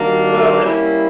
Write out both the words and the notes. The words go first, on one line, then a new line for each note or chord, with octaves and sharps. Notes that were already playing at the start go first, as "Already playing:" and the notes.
Well, if
Already playing: D#3 G3 A#3 D4 F#4
G3 A#3 C#4 E4